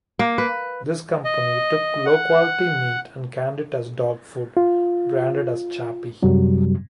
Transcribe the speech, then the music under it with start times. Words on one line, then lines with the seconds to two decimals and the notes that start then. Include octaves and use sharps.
This company took low-quality meat and canned it as dog food, branded as "Chappie".
0.19 A#3
0.38 B4
1.25 D#5
2.06 F#5
4.57 F4
6.23 F#2 C3 F#3 G3